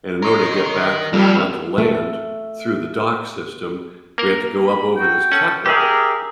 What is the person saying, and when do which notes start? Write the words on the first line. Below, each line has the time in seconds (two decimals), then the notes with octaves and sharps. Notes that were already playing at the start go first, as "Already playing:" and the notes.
and in order to get back onto land through the dock system, we had to go up over this catwalk,
0.22 D#4 A#4 C#5 C6
1.13 F2 G3 A3 E6 F6
1.78 A3
4.18 A#3 A#4
4.66 B5
4.97 F#4 G5
5.32 C#4 A4 F#5
5.66 G4 G#4 A#4 E5